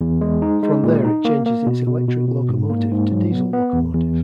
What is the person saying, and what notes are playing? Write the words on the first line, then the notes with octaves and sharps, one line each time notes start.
From there it changes its electric locomotive to diesel locomotive.
E2
G#3
D#4
G#3
A#2
D#4
A#3
A#3
B2
B2
B2
B2
G#2
A#3
G#2
F#3
B3
B3
E2
E2